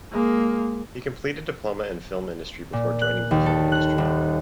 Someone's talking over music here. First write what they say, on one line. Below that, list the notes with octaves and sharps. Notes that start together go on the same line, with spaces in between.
He completed diploma in film industry before joining the film industry.
G#3 A#3
A#2
F#6
D#2
A4
F#6
D#1